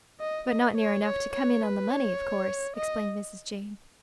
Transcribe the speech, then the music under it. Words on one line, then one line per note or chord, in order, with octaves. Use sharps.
"But not near enough to come in on the money, of course," explained Mrs. Jane.
D#5
D#5
C#5
C#5
C#5
B4
C#5
D#5